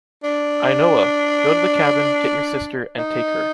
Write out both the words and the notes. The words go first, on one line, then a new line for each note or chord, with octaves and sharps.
Ainhoa, go to the cabin, get your sister, and take her.
D4
D#4